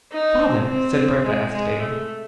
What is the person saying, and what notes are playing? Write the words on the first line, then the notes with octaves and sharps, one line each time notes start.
"Father!" said Bertha, hesitating.
D#4
C4
C4
C4
G#3
G#3
A3